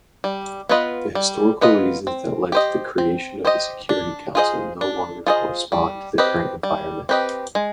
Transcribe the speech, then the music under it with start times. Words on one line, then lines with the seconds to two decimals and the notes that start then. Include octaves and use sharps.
The historical reasons that led to the creation of the Security Council no longer correspond to the current environment.
0.24 G3
0.69 B3 F4 B4 D#5
1.15 G3
1.61 B3 F4 B4 D#5
2.07 C4
2.52 G4 C5 D#5
2.98 C4
3.45 G4 C5 D#5
3.89 D4
4.35 F4 G#4 C5 D#5
4.81 D4
5.27 F4 G#4 C5 D#5
5.72 G3
6.18 C4 G4 B4 D#5
6.63 G3
7.09 C4 G4 B4 D#5
7.55 G#3